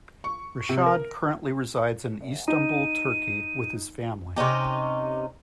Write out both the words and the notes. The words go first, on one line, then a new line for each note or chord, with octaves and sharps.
Reshad currently resides in Istanbul, Turkey with his family.
C#6
C3
A#4
D#4 D#7
C3 C#4 D#4 G4